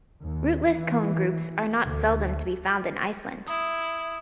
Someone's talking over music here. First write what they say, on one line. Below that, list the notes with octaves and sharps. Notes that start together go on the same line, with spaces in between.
Rootless cone groups are not seldom to be found in Iceland.
D#2
E3
D2
E4 D#6